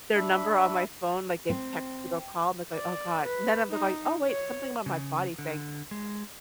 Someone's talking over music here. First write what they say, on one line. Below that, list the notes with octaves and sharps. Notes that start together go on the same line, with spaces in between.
their number on my phone, like, they've texted or called, they're like, "Oh god," and then I'd look, like, "Oh, wait." Something about my body saying
D4 E5 B5
C4
D5
B4
D#4
C#5
C#3
D3
G#3